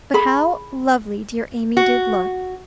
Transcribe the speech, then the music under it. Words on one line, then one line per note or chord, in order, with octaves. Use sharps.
But how lovely dear Amy did look.'
G#4 B5
F#4